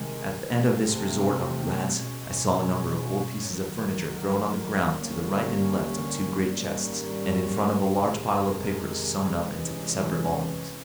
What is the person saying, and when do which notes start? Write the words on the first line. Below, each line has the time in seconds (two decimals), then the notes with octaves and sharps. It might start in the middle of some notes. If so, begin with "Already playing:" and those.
At the end of this resort of rats, I saw a number of old pieces of furniture thrown on the ground to the right and left of two great chests, and in front of a large pile of papers sewn up into separate volumes.
Already playing: C3 D#3 G#3
0.51 C3 F3 A3 C4
2.00 B2 G#3 C#4
3.50 G#2 D#3 F#3
4.98 D3 G3 A#3 C#4
6.48 G#2 D#3 G3 A#3 C#4
7.97 F2 C3 D#3 G#3
9.45 C3 E3 G#3 C#4